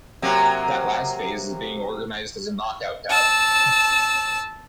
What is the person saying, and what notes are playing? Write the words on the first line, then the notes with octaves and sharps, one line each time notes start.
That last phase is being organized as a knockout cup.
C3 F#3 A#3
A5 E6